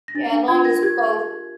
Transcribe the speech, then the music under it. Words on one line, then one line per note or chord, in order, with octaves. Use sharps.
Yeah, as long as both
A#6
D4 A6
D4
F4 G#6
A#4 A#6
G4 G#6